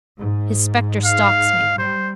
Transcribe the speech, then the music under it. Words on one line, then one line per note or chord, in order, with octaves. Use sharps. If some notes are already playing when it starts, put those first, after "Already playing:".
His spectre stalks me.
G#2
F5
G3 C5